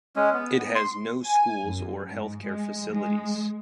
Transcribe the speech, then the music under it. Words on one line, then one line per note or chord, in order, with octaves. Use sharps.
It has no schools or healthcare facilities.
G#3 C#4
B3
B3
C6
G#5
F#2
G#2
G#3
G#3